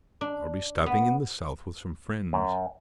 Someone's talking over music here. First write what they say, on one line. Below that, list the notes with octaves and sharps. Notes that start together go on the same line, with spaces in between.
I'll be stopping in the south with some friends.
D4
B3
F#2